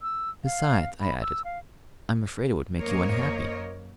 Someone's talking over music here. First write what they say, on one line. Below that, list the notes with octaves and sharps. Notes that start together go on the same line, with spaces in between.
"Besides," I added, "I'm afraid it would make you unhappy."
E6
F5
B5
E6
F5
F#2 A#3 A#4 C5 C#5 D#5